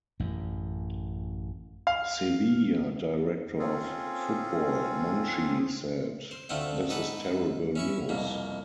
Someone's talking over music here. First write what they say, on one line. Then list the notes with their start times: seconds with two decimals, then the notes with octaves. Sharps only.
Sevilla director of football Monchi said, This is terrible news.
0.20 A1 F#2
1.87 F5
3.59 C4 C#4 F4 G#4 A4
6.31 C5
6.49 D2 A3 C4 F4 F#5
6.89 G#2 A4 B4 F#5
7.76 C#4 E4 C#6
8.09 C2 F2 B2 A#3